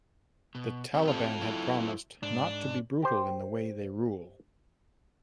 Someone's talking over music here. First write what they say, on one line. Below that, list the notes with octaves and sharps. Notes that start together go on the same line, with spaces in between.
The Taliban had promised not to be brutal in the way they rule.
B2
C4 D#4 G4
F4 A4
F#3 E4
G#2 D4
G4 C5